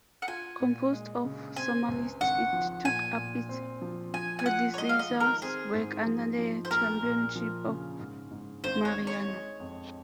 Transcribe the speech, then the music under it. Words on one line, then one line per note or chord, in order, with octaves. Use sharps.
Composed of Somalis, it took up its predecessor's work under the chairmanship of Mariano.
F#5
F4 G#5
A#2
G#3
C#3
C4 G#5
C#2
G#1 F#5
F3
A#2 G#5
A#2
C4
F3
F3 G#5
G#5
F3 F#5
C#5
G#3 D#5
F5
D#5
D#3
A#4
C4 G#4
G#2
F3
F3
C5
A#1 A#4
A#2
F3
C#3
G#2
G#2
G#1 C5
C#5
G#1
C#5
G#3
F2